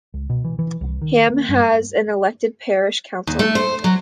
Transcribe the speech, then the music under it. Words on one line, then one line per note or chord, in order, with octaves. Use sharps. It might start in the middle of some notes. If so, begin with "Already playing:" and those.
Ham has an elected parish council.
C#2
B2
E3
E3
C2
D#3
A#3
G2
D#2
A3
C5
F#3